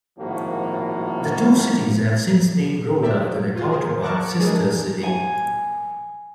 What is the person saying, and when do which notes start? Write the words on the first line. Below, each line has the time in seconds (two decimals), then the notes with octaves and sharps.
The two cities have since named roads after their counterpart sister city.
0.18 G#1 A2 F3 A#3 F#4
3.02 C4 G4 D5 E5
3.19 F#3
3.56 F4 F#4
3.70 G#4 A#4 C5
4.02 A#4 A5 C#6 D6 F#6 A#6
4.39 E3 F#3 G#3 D4 G#4 A#4
5.03 G#5